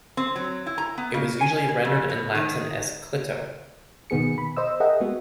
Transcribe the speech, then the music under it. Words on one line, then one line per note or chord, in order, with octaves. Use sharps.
It was usually rendered in Latin as "clito".
C4
F#3
E4
A#5
B3
C#3
G#5
G#4
F2
B2
D#3
B2 D#3 B3 G#4 C#7
B5
C5 D#5 E6
G#4 A#4 D#5 E5 F#5 G5
G#3 B3 F#4